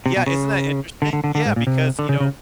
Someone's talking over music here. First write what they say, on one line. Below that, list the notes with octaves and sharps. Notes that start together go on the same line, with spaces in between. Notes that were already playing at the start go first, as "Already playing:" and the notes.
Yeah, isn't that interesting? Yeah, because, you know,
C3
B2
C#3
D3
D3
D3
D3
G#2
A#2
C3
D3
C#3
C#3